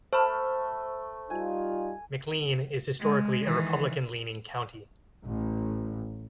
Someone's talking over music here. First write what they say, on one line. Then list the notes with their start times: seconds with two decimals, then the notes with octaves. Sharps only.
McLean is historically a Republican-leaning county.
0.13 A3 C5 B5
1.30 G3 D#4 F4 G#5
3.00 G#3
3.41 D#3 E3
5.24 A1